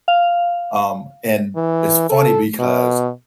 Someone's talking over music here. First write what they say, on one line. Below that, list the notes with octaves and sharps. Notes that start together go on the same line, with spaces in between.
Um, and it's funny because
F5
E3
A4
B2